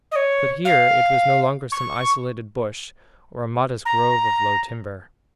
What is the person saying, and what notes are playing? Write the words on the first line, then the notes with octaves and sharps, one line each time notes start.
But here it was no longer some isolated bush or a modest grove of low timber.
D#5
C#5
F5
C#6
A#5